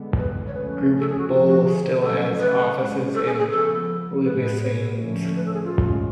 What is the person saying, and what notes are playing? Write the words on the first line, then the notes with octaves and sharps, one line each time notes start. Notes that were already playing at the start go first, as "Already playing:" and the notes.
Groupe Bull still has offices in Louveciennes.
Already playing: D3 G#3 B3
B4
C#5
F3 A3 C#4 B4
A4
G#4
F#4
D3 F3 A3 F4
F#4
G#4
C#3 F#3 A3 C#4 A4
B4
C#3 G#3 C#4
A4
G#4
G#4
F3 B3 A4
A2 G#3 B3 B4
B4
C#5
D3 F3 A3 C#4
B4
A4
G#4
F4
A2 G#3 C#4